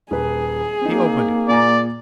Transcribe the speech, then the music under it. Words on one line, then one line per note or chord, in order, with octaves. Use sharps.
He opened it.
D#1 G#4 B4
A#3 C4 D#4
A#2 D5 G#5 A#5